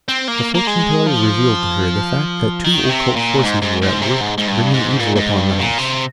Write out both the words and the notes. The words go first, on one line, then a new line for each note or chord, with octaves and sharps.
The fortune-teller revealed to her the fact that two occult forces were at work bringing evil upon the house.
C4
A#3
A#3
G#3
F3
D#3
C3
A#2
G#2
G#2
G#2
C3
G#2
G#2
G2
G#2
A#2
A#2
G#2
G2
A#2
C3